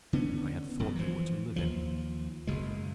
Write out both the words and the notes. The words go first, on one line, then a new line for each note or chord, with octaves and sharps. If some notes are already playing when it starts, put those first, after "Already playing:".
I had thought they were to live in.
D3 B3 C#4
E1 F#2
E3 F3
D#2 F3
F#1 B2 G#3